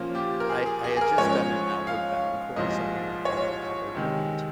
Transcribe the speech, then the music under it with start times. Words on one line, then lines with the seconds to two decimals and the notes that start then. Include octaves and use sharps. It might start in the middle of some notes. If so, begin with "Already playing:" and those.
I I had just done an Outward Bound course, I don't know if you know Outward Bound?
Already playing: A#2 F3 A#3 C#4
0.15 G4
0.40 A#4
0.50 G#4
0.66 G#4
0.84 G#4
0.97 G#4
1.01 A#4
1.18 G#2 F3 G#3 C#4 C#5
1.87 F5
2.56 C2 A#2 F3 G#3 D#5
3.25 C#5
3.95 C3 D#3 G#3